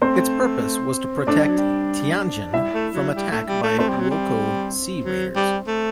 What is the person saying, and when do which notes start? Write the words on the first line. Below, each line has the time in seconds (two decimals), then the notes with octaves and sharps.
Its purpose was to protect Tianjin from attack by wokou sea raiders.
0.01 A3 C4 C5
1.27 A3 D4 D5
1.38 G3
1.47 F#3
1.58 G3
2.53 G3 E4 E5
2.74 A3
2.94 F#3
3.16 G3
3.32 A3
3.48 G3
3.63 A3
3.79 A3 C4 C5
3.89 G3
4.00 F#3
4.11 G3
5.04 F#3
5.36 G3
5.68 A3